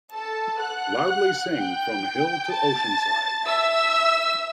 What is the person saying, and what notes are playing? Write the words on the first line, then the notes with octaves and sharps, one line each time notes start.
Loudly sing from hill to oceanside!
A4 A5
F#5 F#6
G5 G6
A5 A6
E5 E6